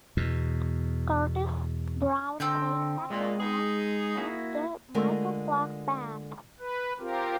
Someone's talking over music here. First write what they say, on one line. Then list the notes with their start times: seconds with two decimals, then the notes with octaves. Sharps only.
Curtis Brown plays saxophone in the Michael Clark Band.
0.17 E2 B2
2.40 D3 C4 G5 G6
3.10 A#2 G#3
3.40 D#4 G#4
4.18 A#3 E4 F#4
4.94 D3 G#3 A3 F4 A#4
6.59 B4
7.00 C4 F4 G4 A#4